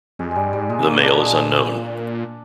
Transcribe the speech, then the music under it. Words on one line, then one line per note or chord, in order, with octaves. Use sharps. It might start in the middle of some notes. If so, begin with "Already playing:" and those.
The male is unknown.
F2 G#3
G2 G3 G#3
G#2 G3
A#2 G#3
C3
A#2 A#3
D4
G#3